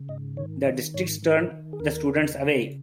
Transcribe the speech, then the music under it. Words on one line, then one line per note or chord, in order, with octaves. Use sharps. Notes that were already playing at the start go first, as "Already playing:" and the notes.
The district turned the students away.
Already playing: C#3
G#2 D#5
D#3 C#5
D#3 D#5
G#2 C#5
D#3
A#4
D#3
G#4
D#2 A#4
C#3
C#3